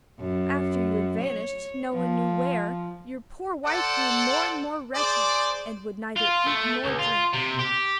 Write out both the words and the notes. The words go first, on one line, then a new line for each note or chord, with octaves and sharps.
After you had vanished, no one knew where, your poor wife grew more and more wretched, and would neither eat nor drink.
F#2
C#5
F3
A4 C5 D5 F#5
G#4 C5 D5
F4
A3
C#2
F4
C3
G4